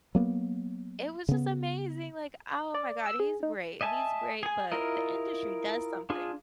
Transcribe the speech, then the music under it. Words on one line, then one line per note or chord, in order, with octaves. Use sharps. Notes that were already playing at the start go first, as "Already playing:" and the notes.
it was just amazing. Like, oh my God, he's great. He's great, but the industry does something.
F#3 A#3 B3
C#3 B3
D5
E6
G#4
D#4
D#5 E5 G#5 A5
G#4 G#5
E4 F4 A#4 D#5
D4 F4 G#4